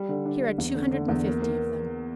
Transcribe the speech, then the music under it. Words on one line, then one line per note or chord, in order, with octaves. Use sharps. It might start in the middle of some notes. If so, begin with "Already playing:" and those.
"Here are two hundred and fifty of them."
Already playing: G3
D3
D4
D4
E2
D3
D3
E2
A#3
A#3